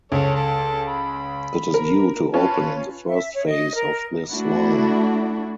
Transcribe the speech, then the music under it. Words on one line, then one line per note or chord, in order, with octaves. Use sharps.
It is due to open in the first phase of this line.
C#2 A4 C#5
A4
B5
A#4
C#4 F4 B4 A5
E5
C#5
D#5
A#4
A3 D4 E4 F#4